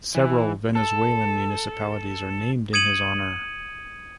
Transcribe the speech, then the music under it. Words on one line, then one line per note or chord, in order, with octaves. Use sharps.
Several Venezuelan municipalities are named in his honor.
E3
A4
D#6 G#6 C#7 D#7 F#7